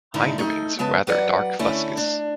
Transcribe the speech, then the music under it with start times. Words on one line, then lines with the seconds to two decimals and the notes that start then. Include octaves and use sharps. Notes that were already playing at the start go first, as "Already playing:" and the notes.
Hindwings rather dark fuscous.
0.14 G#2 D3 D#4 E4
0.38 A3 D#4
0.79 C#3 G#3 B3 B4 A5
1.07 F#3 B4 D5 F#5
1.59 D3 A3 C#4 E4
1.97 D4